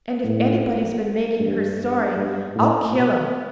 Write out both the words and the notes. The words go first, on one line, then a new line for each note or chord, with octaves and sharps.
And if anybody's been making her sorry, I'll kill him.
A2
G2
G2
A2
B2